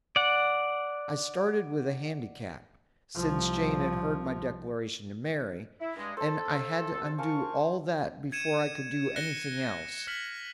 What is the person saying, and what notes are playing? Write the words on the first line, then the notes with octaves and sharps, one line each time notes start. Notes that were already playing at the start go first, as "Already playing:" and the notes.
I started with a handicap, since Jane had heard my declaration to Mary, and I had to undo all that before I could do anything else.
D5 F#5
C2 F3
E4
G2 G#3
A4 C5 A5
C5 F5
C2 A4
F4 A#4 G#5 A5 C#6
G#6 C#7 D#7 E7
F#6 A#6 C#7 G7
F6 B6 F#7